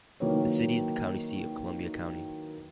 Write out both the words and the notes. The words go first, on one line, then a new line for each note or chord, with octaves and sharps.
The city is the county seat of Columbia County.
D#3 F#3 A#3 E4 B4 C#5